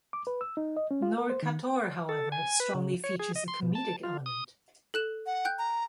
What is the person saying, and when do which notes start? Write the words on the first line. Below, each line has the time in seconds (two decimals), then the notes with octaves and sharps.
Knorkator, however, strongly features a comedic element.
0.13 D6
0.27 B4
0.41 E6
0.57 D#4
0.77 D#5
0.91 C#4
1.02 F4
1.18 A#4
1.30 C5
1.43 D#3
2.09 A4
2.32 G#5
2.60 B4
2.75 C#3
3.04 C#5
3.20 G#4
3.36 D#5
3.48 C6
3.62 B2
3.75 A5
4.03 F4
4.26 D#6
4.94 A4 F#6 E7
5.26 F#5
5.45 G5 F#6 G6
5.58 A#5